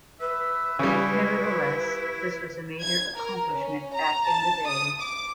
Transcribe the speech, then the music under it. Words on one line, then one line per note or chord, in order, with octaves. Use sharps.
Nevertheless, this was a major accomplishment back in the day.
B4 E5
C#3 G3 E4
G#6
A#4
C#4
A#5
A5
D#6
D6